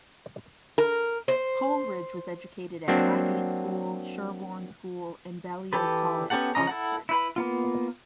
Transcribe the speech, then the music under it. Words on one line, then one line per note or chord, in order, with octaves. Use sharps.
Coleridge was educated at Highgate School, Sherborne School and Balliol College, Oxford.
A#4
C5
F#3 A#3 C4 D4
E3 G4 A4 B4
B3 C#4 G4 A4 F#5
C#3 F3 C#4 D#5 A#5
E4 A4 F#5
E4 B4 B5
A#3 B3 F4